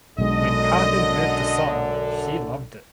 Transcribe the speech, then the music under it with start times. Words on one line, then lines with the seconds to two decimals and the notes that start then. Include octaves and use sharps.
When Parton heard the song she loved it.
0.19 B1 F#2 D3 G#3 D4 D#5